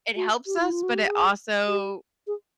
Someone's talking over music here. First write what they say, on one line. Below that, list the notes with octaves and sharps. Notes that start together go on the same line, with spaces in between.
it helps us, but it also
F#4
G4
E4
F4
F#4
G4
G#4
G4
G#4